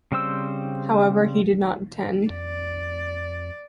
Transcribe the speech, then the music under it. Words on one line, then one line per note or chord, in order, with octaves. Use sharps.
However, he did not attend.
C#3 G3 C4 C5 E6
F2 D5